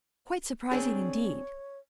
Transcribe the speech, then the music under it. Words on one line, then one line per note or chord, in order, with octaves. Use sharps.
Quite surprising indeed!
C4 D4 G#4 C#5